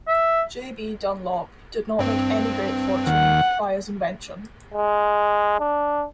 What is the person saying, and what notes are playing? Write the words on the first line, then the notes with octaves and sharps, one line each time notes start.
J B Dunlop did not make any great fortune by his invention.
E5
G2 C4
D#2 F#5
G#3
D4